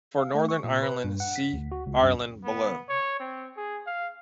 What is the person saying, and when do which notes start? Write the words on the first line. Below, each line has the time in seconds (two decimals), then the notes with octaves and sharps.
For Northern Ireland, see Ireland below.
0.18 F5
0.35 A3
0.49 C#6
0.64 A#2
0.82 B4
1.04 G2
1.20 F#5
1.36 B6
1.53 D2
1.72 F#4
1.86 C#2
2.02 F#2
2.44 B3
2.89 C#5
3.20 C4
3.57 G#4
3.87 F5